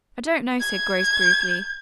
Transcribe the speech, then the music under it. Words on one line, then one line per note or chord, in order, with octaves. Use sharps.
"I don't know," said Grace briefly.
G#6